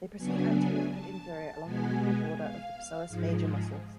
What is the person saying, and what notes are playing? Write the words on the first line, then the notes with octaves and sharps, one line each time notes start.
They proceed anterior and inferior along the medial border of the psoas major muscles.
C#3 F#3 B3 D4 G#5
A5
B2 G#3 B3 G#5
F5
G#2 F3 G#3